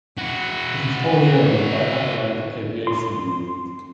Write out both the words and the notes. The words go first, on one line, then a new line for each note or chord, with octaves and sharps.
It is wholly owned by Abelag Aviation Group.
E4 F#4
C6